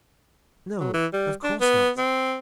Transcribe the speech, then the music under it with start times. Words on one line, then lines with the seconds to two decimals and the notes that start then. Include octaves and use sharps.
"No, of course not."
0.80 F#3
0.94 E3
1.13 G3
1.44 D4
1.60 B3
1.98 C4